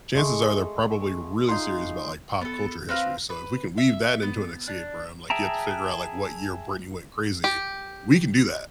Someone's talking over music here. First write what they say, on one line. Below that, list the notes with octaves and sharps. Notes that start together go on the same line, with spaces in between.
chances are they're probably really serious about, like, pop culture history, so if we can weave that into an escape room, like, you have to figure out, like, what year Britney went crazy, we can do that.
G#3 A3 G#4
D#4 F4 C6
B3 A4
C4 B4 F5 A#5
B4
E5
B3
D4
G#4 E5 G5 A5 A#5
G4